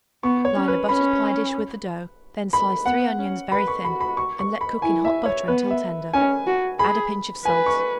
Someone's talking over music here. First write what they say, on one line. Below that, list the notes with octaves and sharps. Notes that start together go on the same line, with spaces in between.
Line a buttered pie-dish with the dough; then slice three onions very thin and let cook in hot butter until tender; add a pinch of salt.
B3 C#6
C#5
C#4
B4
C#4 B5
B5
B3 F#5
C#4
B4 B5
C#6
F#4 B5
B5
C#6
C#6
B5
E4 G#5
E5
C#5
B3 B4
E5
C#4 G#5
F#4
G#4 B5
B4 G#5
C#6